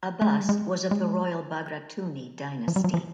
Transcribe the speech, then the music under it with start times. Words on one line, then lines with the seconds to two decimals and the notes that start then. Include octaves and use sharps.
Abas was of the royal Bagratuni Dynasty.
0.22 A3
0.30 G#3
0.40 G3
0.49 G#3
0.91 G#3
2.68 F3
2.76 G3
2.84 F#3
2.94 F3